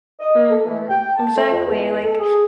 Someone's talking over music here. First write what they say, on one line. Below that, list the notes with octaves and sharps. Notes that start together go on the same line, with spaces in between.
Mhm, exactly, like,
D#5
A4
E3
G5
A5
A3
F2
E2
A4
G#4